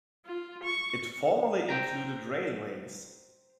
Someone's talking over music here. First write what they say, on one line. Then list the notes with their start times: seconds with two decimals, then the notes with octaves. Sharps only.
It formerly included railways.
0.26 F4
0.64 C#6
1.69 C5 G5 A#5